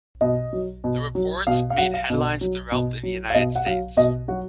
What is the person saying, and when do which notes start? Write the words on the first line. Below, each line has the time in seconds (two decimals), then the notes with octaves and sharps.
The reports made headlines throughout the United States.
0.21 B2 D#5
0.53 F#3
0.84 B2
1.15 F#3
1.47 B2 F5
1.70 F5
1.78 F#3 F#5
1.94 F5
2.10 B2
2.41 F#3
2.72 B2
3.03 F#3
3.30 F5
3.34 B2 D#5
3.55 F#5
3.66 F#3 F5
3.97 B2 D#5
4.28 F#3 F#4